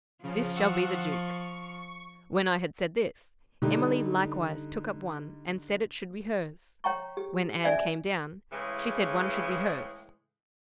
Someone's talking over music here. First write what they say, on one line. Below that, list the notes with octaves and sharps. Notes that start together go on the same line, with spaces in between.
This shall be the Duke!' When I had said this, Emily likewise took up one and said it should be hers; when Anne came down, she said one should be hers.
C#3 F3
F#5 C#6 E6
C#6
D3 G3 D#4
C#5 G5 A#5 C#6
G4
C#4 D5 E5 G#5
A2 C#3 E3 G#3